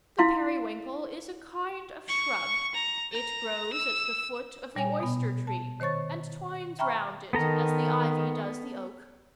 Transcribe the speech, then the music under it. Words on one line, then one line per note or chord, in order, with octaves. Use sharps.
The periwinkle is a kind of shrub; it grows at the foot of the oyster-tree, and twines round it as the ivy does the oak.
E4 F5 C6
C#6
A#5
A#5
E6
A#2 G3 C#5 G#5
B2 B3
A5
D#3 C5 C#5 C#6 A6
E5 G5 A#5 B5 C#6 F6
D#3 B3 A4 A#5